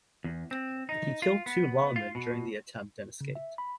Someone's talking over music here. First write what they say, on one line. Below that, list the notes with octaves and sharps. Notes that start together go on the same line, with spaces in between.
He killed two lawmen during the attempt and escaped.
E2
C4
D#4
F4
B3
F4
B2
C#3
E5
B5